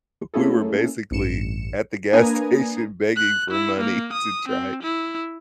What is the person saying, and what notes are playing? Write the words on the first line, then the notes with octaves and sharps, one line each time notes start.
we were basically at the gas station begging for money to try
A3 A#3 C#4 E4 G#4 A4
A1 G2 C#7 E7
A#3 D4 B4 G#5 A#5 D#6
F#6
E4
A#3
D#6
C4
E4